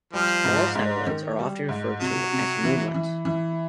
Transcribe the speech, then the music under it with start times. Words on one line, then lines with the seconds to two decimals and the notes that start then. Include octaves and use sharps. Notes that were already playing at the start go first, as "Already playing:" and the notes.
Small satellites are often referred to as moonlets.
0.13 F3 G3
0.45 G#2
0.75 G#2
1.07 D#3
1.39 G3
1.69 G#2
2.00 C3 F#3
2.32 C3
2.63 E3
2.94 E3
3.25 E3